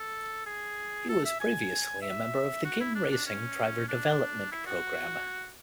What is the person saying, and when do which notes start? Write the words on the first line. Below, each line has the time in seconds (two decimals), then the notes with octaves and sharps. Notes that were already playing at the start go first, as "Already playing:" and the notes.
He was previously a member of the Ginn Racing driver development program.
Already playing: A4
0.46 G#4
1.09 A4
1.25 E5
1.40 G#5
2.02 E5
2.64 F#4
2.80 E4
2.95 D4
3.11 D4
3.26 C#4
3.89 D4
4.51 E4
4.67 F#4